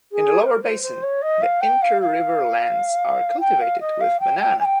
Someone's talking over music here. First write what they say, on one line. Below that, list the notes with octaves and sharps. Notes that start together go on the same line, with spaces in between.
In the lower basin, the inter-river lands are cultivated with banana.
G#4
C5
A#4
C5
C5
C#5
D#5
F5
G5
F5
F5
G5
F5
D#5
F5
G5
G5
G#5
G5